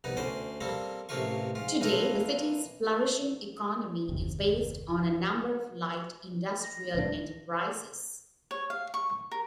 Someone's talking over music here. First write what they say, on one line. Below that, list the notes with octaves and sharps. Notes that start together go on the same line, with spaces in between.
Today the city's flourishing economy is based on a number of light industrial enterprises.
C2 B3 D#4
D2 C#4 C5 D5
G3 A#3 C4 A4
A1 C3 A3 A#3 F4 C#6
G#2 F4
E3 A#3 D#4 F4 A4 A#5
F#1 D#2 C3 D#3
A#6
D1 C#2 D4
C#5
F5
C#6
A#4